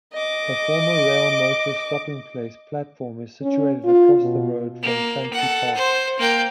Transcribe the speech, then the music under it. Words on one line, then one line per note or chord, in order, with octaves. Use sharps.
A former Railmotor Stopping Place platform is situated across the road from Tanti Park.
D#5 D6
C#4
F4
B2
A#3
A4 F#5
C5
A#3 G5